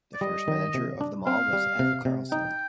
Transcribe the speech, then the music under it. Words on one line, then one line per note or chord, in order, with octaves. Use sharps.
The first manager of the mall was Eddo Carlson.
D5
G3 D#5
D#3
C3
D4
C4 F5
G3
C3
C3
D#4 G5